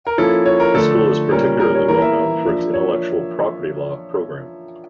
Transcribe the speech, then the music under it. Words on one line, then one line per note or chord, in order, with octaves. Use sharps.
The school is particularly well known for its Intellectual Property Law program.
A#4
F3 A#3 C#4 E4 A4
C#5
A#4
D3 F3 A3 A4
A#2 G3 C#4 A#4
A#4
C#5
E3 A#3 E4 A#4
E5
F3 A#3 D4
C#5